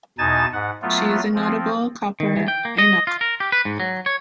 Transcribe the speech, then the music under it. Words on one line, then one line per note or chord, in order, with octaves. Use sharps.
She is a notable Copper Inuk.
E2 B2 D#4 G#5 A5 A6
G#2 F#5
F#3 A3 B3 F4
F3 C4
D#3
E3
G5
A#3
D#5
F4
A#4
G4
B4
G#2
F#3
C#5